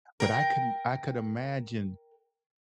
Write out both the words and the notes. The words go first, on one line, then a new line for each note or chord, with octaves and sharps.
but I can I could imagine
A#4 G5